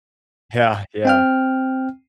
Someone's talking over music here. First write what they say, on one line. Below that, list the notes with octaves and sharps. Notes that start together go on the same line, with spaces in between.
Yeah, yeah.
C4 G5 F6